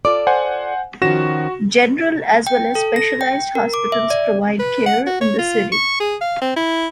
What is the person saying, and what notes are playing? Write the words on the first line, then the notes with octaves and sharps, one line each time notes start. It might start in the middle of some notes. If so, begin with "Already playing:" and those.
General as well as specialized hospitals provide care in the city.
F4 A4 D5 D6
C5 F#5 G#5
D#3 F3 C#4 F#4 A#6 E7
G5
A4
A#6
G5
A#4
D6
E5
D5
B4
F#5
F#4
C#5
F4
C#6
G#4
F5
C4
E4